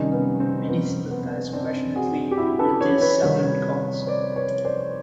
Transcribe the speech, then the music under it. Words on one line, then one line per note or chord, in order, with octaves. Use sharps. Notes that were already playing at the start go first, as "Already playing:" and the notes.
Many sympathized passionately with the Southern cause.
Already playing: C3 D#3 G3 C#4 D#4
B3 C#4
C4
B3
C4
B3
B3
C4 D4
F#4 G#4
G4
E4 F#4
A4 B4
B4 C#5
B4 C#5
C3 D#3 G3
C5 D5
B4 C#5
C5 D5